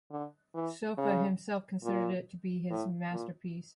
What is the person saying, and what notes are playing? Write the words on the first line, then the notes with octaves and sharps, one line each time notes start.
Sofa himself considered it to be his masterpiece.
D3
E3
C#3
A#2
A2
A#2